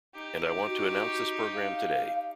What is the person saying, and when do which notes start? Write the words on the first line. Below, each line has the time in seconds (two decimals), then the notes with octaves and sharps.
And I want to announce this program today.
0.15 D#4 G4
0.66 F#4
1.54 F5